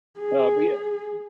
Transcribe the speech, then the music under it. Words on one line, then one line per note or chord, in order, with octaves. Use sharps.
Uh, but yeah. M
G#4